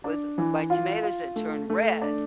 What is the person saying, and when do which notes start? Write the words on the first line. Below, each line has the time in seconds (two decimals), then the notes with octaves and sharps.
with my tomatoes that turn red,
0.04 D4
0.38 E3
0.70 F4
1.03 F4
1.36 A3
1.70 A3
2.01 D4